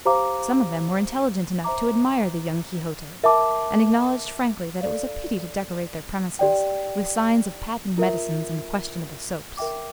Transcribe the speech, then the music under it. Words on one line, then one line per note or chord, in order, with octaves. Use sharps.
Some of them were intelligent enough to admire the young Quixote, and acknowledged frankly that it was a pity to decorate their premises with signs of patent medicines and questionable soaps.
G4 C5 F5 A#5 D6
C5 E5 A#5 D6
A#4 E5 A5 D6
A4 D5 F5
G4 D5 G5
F4 A#4 E5
A#4 E5 G5 D6